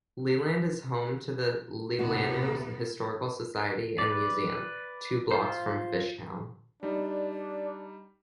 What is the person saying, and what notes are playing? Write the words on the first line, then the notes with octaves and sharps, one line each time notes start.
Leland is home to the Leelanau Historical Society and Museum, two blocks from Fishtown.
D#1 D#2 C3 B3 F#4
B4 D5
F4 C5
G3 D4 D#4 D5